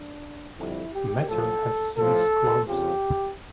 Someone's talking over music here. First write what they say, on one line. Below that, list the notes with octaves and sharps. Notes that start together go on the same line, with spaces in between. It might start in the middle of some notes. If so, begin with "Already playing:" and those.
Matter has since closed.
Already playing: D4
F2 D3 G3 E4
G4
A2 F3 A4
A2 F3 A4
F2 C#3 F3 G4